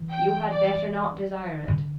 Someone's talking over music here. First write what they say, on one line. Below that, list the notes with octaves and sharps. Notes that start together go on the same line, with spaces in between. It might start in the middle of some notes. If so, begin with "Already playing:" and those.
"You had better not desire it."
Already playing: E3
G5
D5
D3